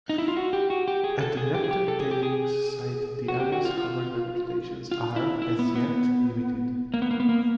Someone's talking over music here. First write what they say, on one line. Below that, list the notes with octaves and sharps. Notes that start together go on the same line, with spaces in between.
At the Nephton tailings site the areas covered by vegetation are, as yet, limited.
D#4
E4
F4
F#4
G4
F#4
G4
G#4
A4
G#4
G4
G#4
G4
A4
G#4
G4
G#4
F#4
G4
F#4
F4
F4
F4
E4
E4
B3
B3
A#3
B3
A#3
B3
A#3